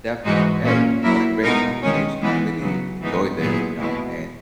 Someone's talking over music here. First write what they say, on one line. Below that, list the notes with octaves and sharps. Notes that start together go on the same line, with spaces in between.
Definitely. Hey, wh what a great conversation. I really enjoyed this, you know? And
G#2 E3 G#3 D#4 F#4
A#2 A#3 C#4
F#3 A#3 E4 A#4
B2 G#3 D#4 A#4
D#3 G#3 C#4
E3 G#3 B3 E4
C#3 F#3 B3
G#2 E3 G#3 B3 D#4
A#2 F#3 B3 E4 G#4
B2 G#3 B3 E4